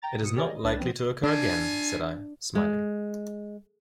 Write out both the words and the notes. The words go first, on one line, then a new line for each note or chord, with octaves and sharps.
"It is not likely to occur again," said I, smiling.
G5 A#5 A6
B2 D#6 C#7
G4 G#4 A#4 C#5 D5 G#5
D#5
C2 D4 B4 A5 A6
F3 B3 C4
D4 E4 F4 G#5
G#3